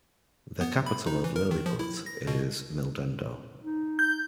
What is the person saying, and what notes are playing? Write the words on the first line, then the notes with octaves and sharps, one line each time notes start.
The capital of Lilliput is Mildendo.
B3
B5
D#4
E3
A#4
D#3
F3
E4
A#6
B2
D#4
G6